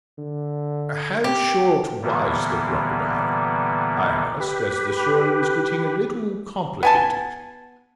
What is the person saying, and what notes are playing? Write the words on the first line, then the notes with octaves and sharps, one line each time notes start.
"How short was the crocodile?" I asked, as the story was getting a little complicated.
D3
G4
A#2 D3 E3 G3 A#3 B3
G4 B4
B3 G#5 A5